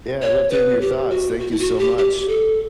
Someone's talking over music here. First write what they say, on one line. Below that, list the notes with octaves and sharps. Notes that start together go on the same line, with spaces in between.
Yeah, I loved hearing your thoughts. Thank you so much.
C#5
B4
G4
F#4
F#4
E4
F#4
G4
G4
A4